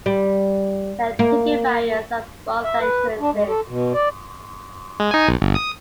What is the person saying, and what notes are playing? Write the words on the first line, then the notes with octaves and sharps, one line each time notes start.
There are ticket barriers at both entrances.
G3
A#3
E5
B4
D4
G#3
A4
B2
D5
G#3
D#4 G#5
B1
G1
D#6